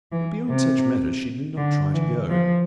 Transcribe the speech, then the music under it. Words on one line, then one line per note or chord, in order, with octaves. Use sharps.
But beyond such matters she did not try to go.
E3
C3
D3
E3
F3